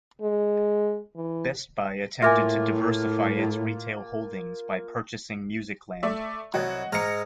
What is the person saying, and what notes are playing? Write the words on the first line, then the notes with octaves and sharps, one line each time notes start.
Best Buy attempted to diversify its retail holdings by purchasing Musicland.
G#3
E3
A2 A#3 F4 E5 G#5
A3 D5 E5
C2 F#3 F#4 D#5 F#5
G#2 G#3 A#5 F6 C#7